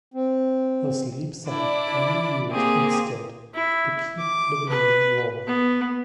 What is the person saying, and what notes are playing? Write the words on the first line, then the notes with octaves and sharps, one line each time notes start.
A sleepsack can be used instead to keep the baby warm.
C4
D4 E4 D5
A#3 C4 G4 G#4
E4
D6
B4
B3